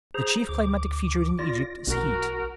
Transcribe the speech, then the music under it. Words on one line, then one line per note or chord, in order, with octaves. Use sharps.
The chief climatic feature in Egypt is heat.
G#4 C5 A#5
D2 D6
F4 D5 A#6
B1 F#4 A#4